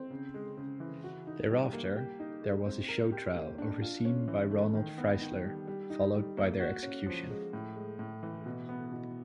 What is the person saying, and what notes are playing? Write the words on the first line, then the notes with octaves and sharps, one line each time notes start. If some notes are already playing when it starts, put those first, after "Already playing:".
Thereafter, there was a show trial overseen by Roland Freisler, followed by their execution.
Already playing: C4
C#3
G#3
C#3
E3
F#4
D#4
G3
A#3
G4
D#4
G#3
C4
A#4
G4
A#3
D4
F4
C#4
E3
A3
D#3
B3
D#3
G3
G3
D#4
G3
A#3
F#4
C#4
F3
G#3
A2
G#3
A2
E3
B2
B3
B2